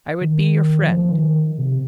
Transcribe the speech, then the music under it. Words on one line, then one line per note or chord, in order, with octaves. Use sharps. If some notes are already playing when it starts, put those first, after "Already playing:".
I would be your friend.
D#3
F3
D#3
C3